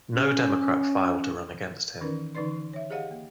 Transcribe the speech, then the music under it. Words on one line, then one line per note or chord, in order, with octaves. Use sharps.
No Democrat filed to run against him.
C#4
D#3 E3 C#4 D#4 A#4 B4
D3 E3 D#4 B4 D5 C6
C#5 E5
G4 G#4 C5 D#5 F5 F#5
A#3